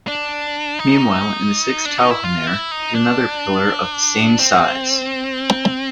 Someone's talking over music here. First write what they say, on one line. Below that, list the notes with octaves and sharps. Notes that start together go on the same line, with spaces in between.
Meanwhile, in the sixth talhamare is another pillar of the same size.
D4
D#4
D4
D#4
E4
F4
E4
D#4
D4
C4